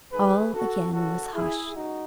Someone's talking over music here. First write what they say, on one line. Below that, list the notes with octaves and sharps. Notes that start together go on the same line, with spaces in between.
All again was hushed.
G#2 D#3 G#4 B4
F#4 A4
F#2 C#3 E3 F#4 A4
E4 G#4
C#2 D#4 F#4